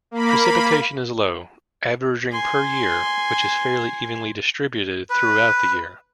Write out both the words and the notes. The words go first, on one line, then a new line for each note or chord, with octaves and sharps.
Precipitation is low, averaging per year, which is fairly evenly distributed throughout the year.
A#3 B5
G#5 C6
B4